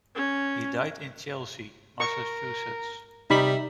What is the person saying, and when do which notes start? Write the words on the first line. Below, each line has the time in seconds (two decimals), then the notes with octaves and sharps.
He died in Chelsea, Massachusetts.
0.15 C#4
2.00 A#4 C#6
3.30 C3 G3 D#4 E5 B5